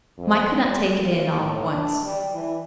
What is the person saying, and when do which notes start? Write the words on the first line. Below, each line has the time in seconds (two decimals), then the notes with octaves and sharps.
Mike could not take it in all at once.
0.19 F2
0.64 G3
1.05 F4
1.38 A2
1.67 D4
2.03 G3
2.33 E3